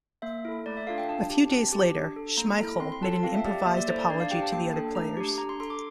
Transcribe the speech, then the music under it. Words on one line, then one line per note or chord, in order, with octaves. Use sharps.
A few days later, Schmeichel made an improvised apology to the other players.
A#3 E5
E4 A4
A3 D5
E5
D4 F4 A4 F5
G5
D4 A5
G4
C4 A5
G4
D4
A4
A#3 A#5
E4 A4
C4 C6
C6
F4 A4 A5
A5
C4 F5
E5
G4 D5
A#3 E5
D5
E4 A4 C5
D5
D4 D5
F5
G4 G5
A5
A#3 G5
D4 A4
A3 A#5
D4 G4
D4 A#5
C6
A4 C6
D6